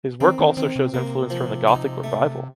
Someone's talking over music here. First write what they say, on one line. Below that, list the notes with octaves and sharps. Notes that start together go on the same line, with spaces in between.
His work also shows influences from the Gothic Revival.
D#3 C4
D#3
D#3 C4
C3
C3 A#3
F3
D#4
A3